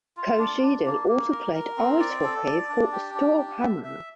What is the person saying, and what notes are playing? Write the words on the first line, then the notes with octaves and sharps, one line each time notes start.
Kojedal also played ice hockey for Storhamar.
F4
D4
D4
A#3
A#3
A#4
A#4
C4
D5
A4
D5
D4
G4
D4
G4
E5
E5